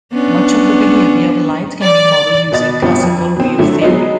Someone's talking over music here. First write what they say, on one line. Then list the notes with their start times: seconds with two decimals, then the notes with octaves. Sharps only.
Much of the behaviour of light can be modelled using classical wave theory.
0.13 B3 C#4 D4
1.81 D5
2.52 B2 B3 D#5 A6
2.82 G1 G2 B2 C4 F4
3.03 F2
3.36 B2 C4
3.58 D3 F#3 A3 E4
3.82 F#3 G#3 B3 D#4